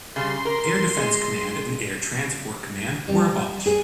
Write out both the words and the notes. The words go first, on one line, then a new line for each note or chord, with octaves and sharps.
Air Defence Command and Air Transport Command were abolished.
C#3 G3 C6
A#4
G#3
G3
G#4